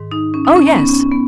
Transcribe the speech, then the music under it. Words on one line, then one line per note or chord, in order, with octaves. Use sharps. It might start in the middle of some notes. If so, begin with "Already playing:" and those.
Oh, yes.
Already playing: G#2 D#3
D#4
C#4
D#4
C#4
B3
C#4
C#4
C#4
B3